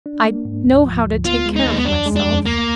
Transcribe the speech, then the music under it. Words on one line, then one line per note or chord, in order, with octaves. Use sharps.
I know how to take care of myself.
D4
A#3
G#2
D2
F3
D2
B3 F4
G#3
D#4
D#2 A#3
B3
F2 D4
G#3
D4
F2
D2 A#3